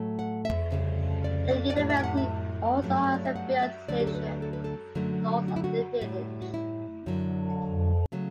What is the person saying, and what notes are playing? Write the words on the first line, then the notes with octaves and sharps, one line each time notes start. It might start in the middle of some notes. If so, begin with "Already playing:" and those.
The University also has a field station north of the village.
Already playing: A2 F#3 A3
F#5
E5
D2 C#3 G3
D5
D5
D5
A2 G3 C#5
E5
G5
F#5
E5
G2 F#3 A3
C#5
D5
E5
F#5
E5
D2 D3 F#3 A3 D5
G4
A4
B4
A4
B4
A4
F#2 D3 F#3 A3
F#4
E4
F#4
A2 G3
F#4
E4
F#2 D3 F#3
C#3 F#3 A3